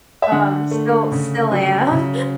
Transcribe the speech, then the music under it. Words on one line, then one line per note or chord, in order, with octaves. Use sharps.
um, still still am.
E5
D3 F#5
A3
C#3
F#3
C#3